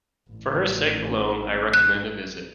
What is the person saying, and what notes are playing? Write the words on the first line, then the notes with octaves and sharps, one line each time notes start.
For her sake alone I recommend a visit.
A1
F#6